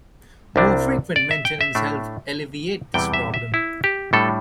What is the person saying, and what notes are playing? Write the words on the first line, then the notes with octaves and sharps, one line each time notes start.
More frequent maintenance helped alleviate this problem.
C2 C3 G3 D4
D5
E5
G5
E5
A2 A3 D4
E2 C3 E3 G3 G5
E5
E5
E4
G4
A2 G3 D4 A4